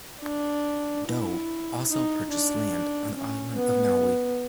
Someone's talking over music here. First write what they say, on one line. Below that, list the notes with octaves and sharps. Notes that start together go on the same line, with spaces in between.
Dole also purchased land on the island of Maui.
D4
E4
D#4
D4
C#4
B3